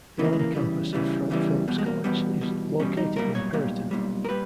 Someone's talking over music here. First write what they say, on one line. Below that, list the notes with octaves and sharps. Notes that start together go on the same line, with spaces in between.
The Allen Campus of Frank Phillips College is located in Perryton.
E2 C#3 E3 G3 B3
A#3
G#3
A#3
E2 C#3 E3 G3
E2 C#3 E3 G3
E2 C#3 E3 G3
E2 B2 G3
G#3
A#3
E2 B2 G3 B3
E2 B2 G3
E2 B2 G3 C#4
D#4
B1 A#2 G3 A#4
C#5
B1 A#2 G3
B1 A#2 G3
A#4
A#2 G3 B4